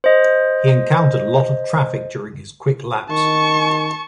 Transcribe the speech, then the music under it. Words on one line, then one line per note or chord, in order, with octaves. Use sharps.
He encountered a lot of traffic during his quick laps.
C5 D#5
D#3 A5 C#6